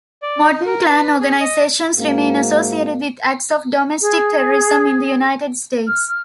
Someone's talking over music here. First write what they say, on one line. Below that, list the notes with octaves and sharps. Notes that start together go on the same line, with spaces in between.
Modern Klan organizations remain associated with acts of domestic terrorism in the United States.
D5
D#4
A#4
B4
G#4
D#5
G#2 A#3 F#4
G#4
F6